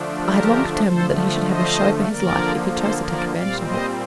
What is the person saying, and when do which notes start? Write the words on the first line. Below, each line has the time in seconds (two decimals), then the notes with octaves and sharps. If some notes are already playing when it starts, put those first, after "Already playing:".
I had long determined that he should have a show for his life if he chose to take advantage of it.
Already playing: D3 F3 A3 D4
0.22 G4 A#4
0.84 D3 F3 A3 A4 C5
1.46 C5 D#5
2.09 D3 F3 A#3 A#4 D5
2.72 A4 C5
3.02 A#4 D5
3.33 A#2 G3 C4 D5 F5
3.64 C5 D#5